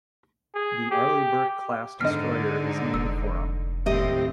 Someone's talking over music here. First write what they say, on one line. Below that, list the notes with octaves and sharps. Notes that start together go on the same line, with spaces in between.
The Arleigh Burke class destroyer is named for him.
G#4
G4
G#2 D3 D#4 D#5 F6
F1 E6
D#2 A2 C4 G4 D#5 E5